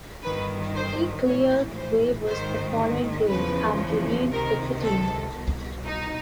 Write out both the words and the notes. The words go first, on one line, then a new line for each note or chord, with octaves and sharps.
He cleared waivers the following day and remained with the team.
G1 G2 D#3 B4
C5
A#1 A2 E3 C#5
C5
G#1 G#2 D#3 C5
E2 C#3 F3 B4
C#2 C3 D#3 A#4
A4
C2 B2
D#4